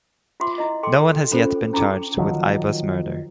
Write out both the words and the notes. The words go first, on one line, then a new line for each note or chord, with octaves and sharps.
No one has yet been charged with Aiba's murder.
F4 E5 F#5 C6 D6
E4 D#5
A4 G5 C6 D6
C#4 F4 A4 C5
C#4 E4 F4 A4 G5 D6
D#3 F3 F#3